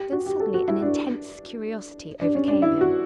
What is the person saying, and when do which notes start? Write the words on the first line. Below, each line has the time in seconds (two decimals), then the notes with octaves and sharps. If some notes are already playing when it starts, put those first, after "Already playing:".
Then, suddenly, an intense curiosity overcame him.
Already playing: G4
0.12 F#4
0.26 G4
0.40 A4
0.54 F#4
0.68 E4
0.82 D4
2.21 D4
2.35 C#4
2.48 D4
2.62 E4
2.81 F#4